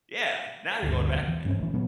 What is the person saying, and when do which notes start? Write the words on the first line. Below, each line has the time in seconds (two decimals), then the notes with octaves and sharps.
Yeah, now you're going back a minute.
0.83 G1 D2
1.13 A#1 E2
1.28 E3
1.45 G2 C4 C#4
1.59 A1 E3
1.73 A#2 F#3 B3